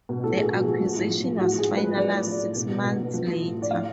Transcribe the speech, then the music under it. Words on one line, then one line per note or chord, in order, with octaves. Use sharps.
The acquisition was finalized six months later.
B2
A2 A4
A2 G#4
F3 F#4
F3 G#4
F3
A2
F3
F3
A2 F#4
F3 G#4
A2
B4
F3
F3 D5
A2
F3
A2
B2
B2
B2
B2
F3
F3
A2
A2
D5
A2 F5